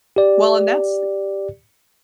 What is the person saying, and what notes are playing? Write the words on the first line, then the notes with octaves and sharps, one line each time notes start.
Well, and that's
G4 D5